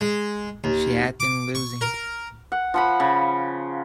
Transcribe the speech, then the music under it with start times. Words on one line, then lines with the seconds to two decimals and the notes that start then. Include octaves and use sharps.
She had been losing.
0.01 G#3
0.64 D#2
1.20 D6
1.55 C#6
1.81 A#4
2.52 F#5
2.74 F3 F#5 B5
3.00 C#3